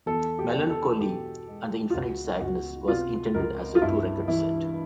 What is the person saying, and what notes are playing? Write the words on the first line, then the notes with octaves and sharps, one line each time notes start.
"Mellon Collie and the Infinite Sadness" was intended as a two-record set.
E2 A4
G4
E2
A4
B2 G4
G#3
F4
C#2 F#4
C#2 F#4
C3 F4
C#2 A#4
F4
G2 E4
E3 E4